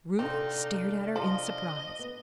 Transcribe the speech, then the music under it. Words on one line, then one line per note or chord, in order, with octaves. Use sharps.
Ruth stared at her in surprise.
C3 C4 D4 D#4 A4 D5 F5
F3 D#5
B3